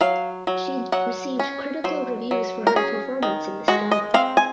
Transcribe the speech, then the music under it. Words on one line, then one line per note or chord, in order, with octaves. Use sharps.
She received critical reviews for her performance in this drama.
F#3 F5
F#3
F#3 F#5
C#4
F#3 C5
F#3
A#4
C#4 G#4
D#3
G#3 F#4
D#5
C4 F5
G#5